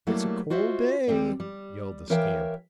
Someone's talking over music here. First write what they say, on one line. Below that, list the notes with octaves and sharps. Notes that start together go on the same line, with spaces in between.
"It's a cold day!" yelled the scamp.
F#3 G3 A3 A#3 E4 A4
F4 F#4 C5 D#5 E5
D#2 G3 C4 D5
G3
E3 A#4 C#5 E5 F5 G5